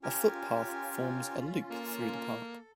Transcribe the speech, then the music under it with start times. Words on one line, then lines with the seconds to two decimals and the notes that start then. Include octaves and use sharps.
A foot path forms a loop through the park.
0.03 C#4 F4 G4 A#4 G#5
1.70 A#3 A4